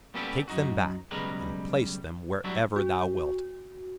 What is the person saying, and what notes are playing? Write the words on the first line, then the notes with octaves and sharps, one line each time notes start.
Take them back and place them wherever Thou wilt!
G3 A#3 B3 C#4 G4 A4
F#2 D#4 F#4
B1 C#3 G3 G#3 A#4 B4
F#3 G3 D4 E4 F#4
F#4